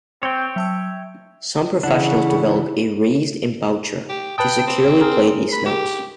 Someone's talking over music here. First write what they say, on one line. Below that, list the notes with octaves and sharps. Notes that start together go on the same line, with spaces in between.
Some professionals develop a "raised embouchure" to securely play these notes.
C4 C#5 G5
F#3 E5 A5 E6
C#3 E3 D4 E4 F#5
G4
B4 G5 A5 D#6
C4
G#4 A#4
B5
G4